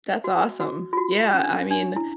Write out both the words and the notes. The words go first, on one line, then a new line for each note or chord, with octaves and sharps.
That's awesome. Yeah, I mean,
F#4
F#4
F4
F#4
C#4
D4
C#4
D4
E4